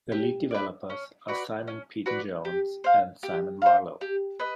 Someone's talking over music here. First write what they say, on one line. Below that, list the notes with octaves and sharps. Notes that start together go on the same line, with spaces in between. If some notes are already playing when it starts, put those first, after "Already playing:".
The lead developers are Simon Peyton Jones and Simon Marlow.
G4
B4 D5
C#4
F#4 B4 D5
C#4
F#4 B4 D5
G4
C5 F5
G4
C5 F5
G4
B4 D#5